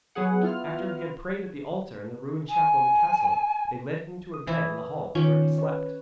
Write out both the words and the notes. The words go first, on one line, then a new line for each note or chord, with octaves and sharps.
After he had prayed at the altar in the ruined chapel of the castle, they led him to a bed in the hall, where he slept.
F#3 B3 G#4 F#5
B3 E4 F4 F6
G#5
D#6
E3 E4
D#3 C#4 F4 G4
B4 C#5